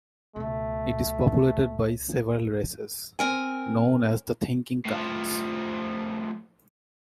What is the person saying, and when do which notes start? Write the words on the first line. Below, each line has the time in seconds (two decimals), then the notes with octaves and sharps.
It is populated by several races, known as the "Thinking Kinds".
0.36 C#2 B2 A3
3.19 C4 A#4 G#5
4.85 A2 F3